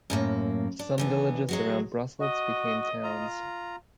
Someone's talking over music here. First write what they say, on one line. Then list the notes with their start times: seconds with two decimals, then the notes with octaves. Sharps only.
Some villages around Brussels became towns.
0.10 F#2 A2 A#3
0.79 D4
0.98 D3 E3 B3
1.49 F#3 G#3 F#4
2.20 F#4 D#5
3.03 F4 A#5